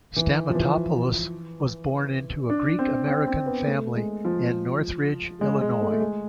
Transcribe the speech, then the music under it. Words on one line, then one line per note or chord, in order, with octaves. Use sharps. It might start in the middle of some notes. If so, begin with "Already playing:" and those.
Stamatopoulos was born into a Greek-American family in Norridge, Illinois.
E3
F3
E3
D4
C4
C4
C4
B3
A3
G#3
F3
G#3
G#3
A3
A3
G#3